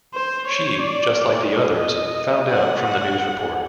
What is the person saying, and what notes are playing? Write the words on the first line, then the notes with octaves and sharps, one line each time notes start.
She, just like the others, found out from the news report.
C5
C#5
D5
D#5
F#5
F#5